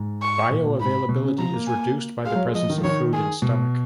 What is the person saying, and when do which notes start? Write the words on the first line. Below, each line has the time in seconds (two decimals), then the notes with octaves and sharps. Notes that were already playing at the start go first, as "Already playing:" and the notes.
Bioavailability is reduced by presence of food in stomach.
Already playing: G#2
0.22 C#6
0.50 A#2
0.66 A#2
0.80 G#2 B5
1.09 B2
1.24 C#3
1.38 F3 A#5
1.53 A#3
1.67 G#5
2.25 G#3 F5
2.35 F#3
2.45 G#3
2.54 F3 D#5
2.69 D#3
2.78 F3
2.84 D#3 C#5
3.13 G#4
3.42 B2